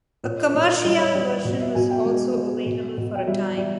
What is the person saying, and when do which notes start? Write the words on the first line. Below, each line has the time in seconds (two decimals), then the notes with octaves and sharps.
A 'Commerciale' version was also available for a time.
0.24 A#2 C#5
0.36 D#5
0.49 C#5
0.54 A#2
0.61 D#5
0.74 C#5
0.85 G3 D#5
0.99 C#5
1.15 G3
1.45 B2
1.61 E5
1.75 B2 G#5
1.90 G5
2.05 G#3
2.36 G#3
2.66 B2
2.98 B2
3.15 G5
3.27 G3 E5
3.57 G3